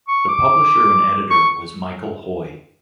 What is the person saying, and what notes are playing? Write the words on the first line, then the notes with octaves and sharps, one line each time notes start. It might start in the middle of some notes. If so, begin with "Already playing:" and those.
The publisher and editor was Michael Hoy.
C#6
D6
C#6